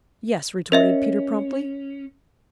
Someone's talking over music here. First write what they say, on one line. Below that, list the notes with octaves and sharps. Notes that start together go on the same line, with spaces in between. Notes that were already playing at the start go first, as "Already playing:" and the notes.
"Yes," retorted Peter promptly.
C#4 A#4 D#5 E5